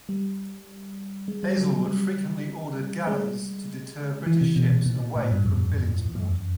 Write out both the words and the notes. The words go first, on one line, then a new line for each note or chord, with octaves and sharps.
Hazelwood frequently ordered galleys to deter British ships away from Billingsport.
G3
G#3
G3
F#3
F#3
G3
G#3
E3
C3
B2
A#2
A#2
A2
G2
F2
E2
F#2
F2